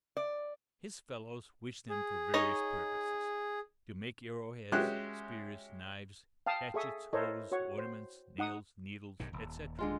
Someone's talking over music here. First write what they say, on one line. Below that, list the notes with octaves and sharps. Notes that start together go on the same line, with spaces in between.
His fellows wish them for various purposes: to make arrow heads, spears, knives, hatchets, hoes, ornaments, nails, needles, etc.
D5
G#4
D#4 C#5 D#5
G#3 C#4 F#4 G4 E5 F#6
F5 G5 A5 D#6
G#4 A4 E5 C#6 D#6
E4 A4 A#4 C5 C#5 D#5
F#4 C#5 F#5 C#6
C5
D#4 F#5 D#6
B1 G2 D#3
D#1
D3 G#3 F4